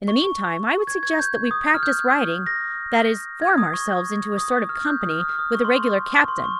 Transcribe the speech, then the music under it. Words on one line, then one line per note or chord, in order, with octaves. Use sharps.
In the meantime, I would suggest that we practice riding--that is, form ourselves into a sort of company with a regular captain.
C#6
C#6
G#6
G#6
G6
D#6
F6
G6
A#6
G#6
D#6
C#6
D#6
F6
G6
D#6
F6
D#6
F6
D#6
C#6
C6
C#6
C6
C#6